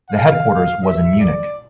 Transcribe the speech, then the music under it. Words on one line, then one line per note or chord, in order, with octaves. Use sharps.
The headquarters was in Munich.
F5
E5
D5